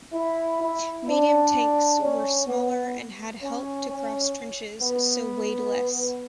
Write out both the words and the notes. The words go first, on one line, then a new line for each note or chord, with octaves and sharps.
Medium tanks were smaller and had help to cross trenches so weighed less.
E4
E4
D4
C#4
B3
C#4
C#4
B3